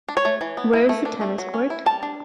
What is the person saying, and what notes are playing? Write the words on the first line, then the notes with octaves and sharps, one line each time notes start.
Where is the tennis court?
D4
C#5
A3
E3
B3
E4
A3
D4
A3
F#3
C#4
E4
G3 A5
D4